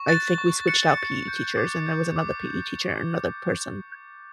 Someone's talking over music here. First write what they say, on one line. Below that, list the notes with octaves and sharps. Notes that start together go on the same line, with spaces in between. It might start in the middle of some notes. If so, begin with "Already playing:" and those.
I think we switched out PE teachers, and there was another PE teacher, another person.
Already playing: C#6
F#6 A6
C#6
F#6 C#7
C#6
G6
D6
G6
D6
G6